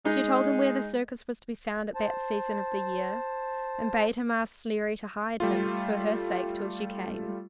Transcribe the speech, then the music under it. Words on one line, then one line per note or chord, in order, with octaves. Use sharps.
She told him where the circus was to be found at that season of the year, and bade him ask Sleary to hide him for her sake till she came.
G#3 D#4
C5 A5
G3 A3 F4